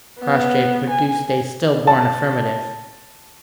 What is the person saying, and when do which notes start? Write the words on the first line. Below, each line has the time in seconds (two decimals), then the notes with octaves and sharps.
Crossjay produced a still-born affirmative.
0.20 B3
0.90 G#5
1.87 A5